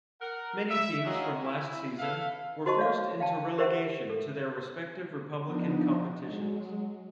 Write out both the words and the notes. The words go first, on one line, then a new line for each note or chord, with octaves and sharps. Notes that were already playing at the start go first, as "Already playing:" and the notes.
Many teams from last season were forced into relegation to their respective republican competitions.
A#4 F#5
E5
F#3 A#3 F4 F#4 G#4 D#5
E4
A4 B4 E5 F5
F#4 C5 D#5 A5 C#6
C#5 F5
F5 G5 A5
G4 A#4 C5 E5 F#5
A4
F3 B3 D4 D#4
F#3 G#3